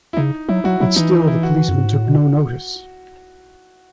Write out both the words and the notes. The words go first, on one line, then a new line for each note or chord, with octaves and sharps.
But still the policeman took no notice.
E4
C#3 D#4
F#3 E4
F#3 F#4
F#3 E4
E3 D#4
E4
F#4
F#2
G#2
A2
B2